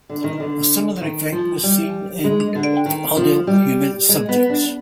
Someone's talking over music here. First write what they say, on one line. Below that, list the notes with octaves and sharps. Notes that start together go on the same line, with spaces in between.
A similar effect was seen in adult human subjects.
D3
D#3
D3
D#3
F3
G3
G#3
D3
D#3
F3
G3
G#3
B3
D4